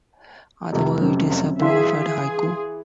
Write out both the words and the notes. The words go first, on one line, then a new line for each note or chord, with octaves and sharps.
Otherwise, it is a bona-fide haiku.
F1 F2 C3
F#3 C4 C#4
E3 G#4 E5 F5 C6
G#4